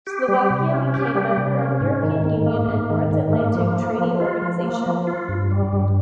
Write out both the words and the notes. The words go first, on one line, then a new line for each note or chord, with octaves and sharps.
Slovakia became member of European Union and North Atlantic Treaty Organisation.
G4
G3
C3
C#4
G4
G3
C3
C#4
G#2
D#3
G#2
A#3
G#2
D#3
G#2
A#3
F3
A#3
F3
F4
F3
A#3
F3
F4
G2
G3
G2